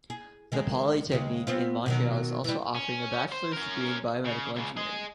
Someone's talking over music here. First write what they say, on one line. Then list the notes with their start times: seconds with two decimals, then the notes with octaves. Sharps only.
The Polytechnique in Montreal is also offering a bachelors's degree in biomedical engineering.
0.10 G#4
0.52 D#3 G#3 G#4
1.12 D#2 C#3 G#3
1.47 B3 C4 F4
1.86 B2 D#3 F#3
2.44 E3 G3
2.75 C#4
3.32 C5
3.53 C#4 A#4
4.24 C#3
4.56 C#2 C#3
4.76 G#4 D#5